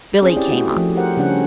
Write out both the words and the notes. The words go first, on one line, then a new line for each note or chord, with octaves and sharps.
Billie came up.
C4 C#4 G#4 C5
C4 E4 G4 D5
A3 E4 F#4
F3 A3
G4 A#4 C5 F#5
C#3 G3 C#4 D4 F#5